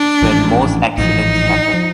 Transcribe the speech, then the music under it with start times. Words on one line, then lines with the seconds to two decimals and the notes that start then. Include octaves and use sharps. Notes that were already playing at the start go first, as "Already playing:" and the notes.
It's when most accidents happen.
Already playing: D4
0.21 A1 G#2 F3
0.97 A1 G#2 F3 D#4
1.74 F3